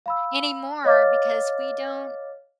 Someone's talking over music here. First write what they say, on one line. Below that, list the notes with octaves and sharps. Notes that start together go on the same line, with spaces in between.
anymore, because we don't
F5 B5 E6
C#5 D#5 F5 D6 F6 A6